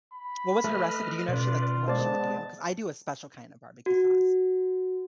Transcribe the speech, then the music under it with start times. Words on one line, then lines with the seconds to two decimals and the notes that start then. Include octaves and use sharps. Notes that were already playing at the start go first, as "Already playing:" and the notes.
What was her recipe do you know if she like, what she would do? 'Cause I do a special kind of barbecue sauce.
0.14 B5
0.64 A3 B4 D#5 F6
1.28 B2 C#4 F4 B4 D5
1.88 G#3 B3 C5 D5 A5
3.86 F#4